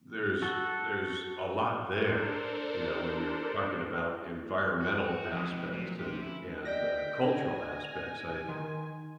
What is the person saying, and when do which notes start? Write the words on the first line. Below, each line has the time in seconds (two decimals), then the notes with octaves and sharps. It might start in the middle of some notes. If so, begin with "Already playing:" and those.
there's there's a lot there, you know, when you're talking about environmental aspects and and, uh, cultural aspects. I
0.42 F#4 A4
2.02 D4 A4 A#4 C5
4.81 F#4
5.30 E3 F3 G#3 C4 D#5
5.73 A#2 F#3 A3
5.99 A3 C#4 G4 C5
6.22 E4
6.65 D5 D#5 G5 A#6 B6
7.25 G#5
8.49 D#3 C6